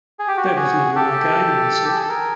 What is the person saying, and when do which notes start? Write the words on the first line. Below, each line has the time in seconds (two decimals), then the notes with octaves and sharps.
"That was never my game," he said.
0.19 G#4
0.28 G4
0.37 F#4
0.46 G4
0.56 F#4 G#4
0.96 G4 A4
1.89 G4
1.95 G#4
2.03 A4
2.09 G#4 A#4